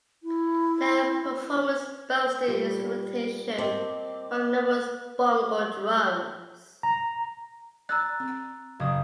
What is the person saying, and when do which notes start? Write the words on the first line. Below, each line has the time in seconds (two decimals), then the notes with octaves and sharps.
The performance boasted instrumentation from numerous bongo drums.
0.23 E4
2.47 A#2 G3
3.58 C4 A#4 D#5 A5 D6
6.83 A#5
7.89 D5 A#5 E6 F#6 A6
8.20 C4
8.80 F#1 D#6